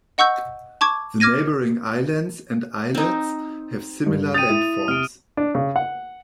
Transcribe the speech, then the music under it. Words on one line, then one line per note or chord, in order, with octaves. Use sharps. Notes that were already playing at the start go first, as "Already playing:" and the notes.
The neighboring islands and islets have similar landforms.
D#5 F#5 C#6 E6 G6
A5 C#6 D6 G#6
D6 F6 G#6 A#6 D#7
C4 D#4
G2
G5 D#6 A6 D#7
E4
C3 F6 D7
D4
C#3
F#5